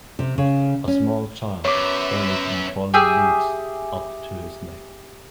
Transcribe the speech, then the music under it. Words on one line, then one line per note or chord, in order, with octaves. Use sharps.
A small child buried in fallen leaves up to his neck.
C3
C#3
C#4
F#2 B3 C#5 E5 D6
G4 G#4 E5